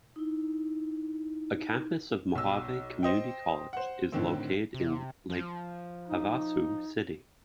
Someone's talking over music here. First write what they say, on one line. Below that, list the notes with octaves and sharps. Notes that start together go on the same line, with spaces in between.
A campus of Mohave Community College is located in Lake Havasu City.
D#4 E4
B1 E6
C5 D#5 G5
C5 F#5
A2 D3 D#3 C4
C3
F3
D#4